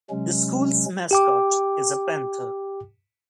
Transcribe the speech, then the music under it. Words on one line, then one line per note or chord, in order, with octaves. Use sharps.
The school's mascot is a panther.
C3 F#3 G#3 C#4
G4 G5 D6